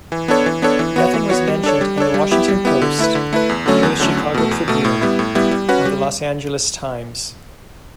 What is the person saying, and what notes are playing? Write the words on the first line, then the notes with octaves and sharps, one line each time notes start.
Nothing was mentioned in the Washington Post...or the Chicago Tribune...or the Los Angeles Times.
E3
B3 D4 A4 C#5
E3
B3 D4 A4 C#5
E3
B3 F#4 C#5
E3
B3 F#4 C#5
G3
D4 A4 C#5
G3
D4 A4 C#5
G3
B3 E4 G4
G3
B3 E4 G4
D3
A3 E4 B4
D3
A3 E4 B4
E2
D3 F#3 A3 C#4
E2
D3 F#3 A3 C#4
E2
B2 A3
E2
B2 A3
A2
G3 B3 E4
A2
G3 B3 E4
G3
C#4 F#4 B4
G3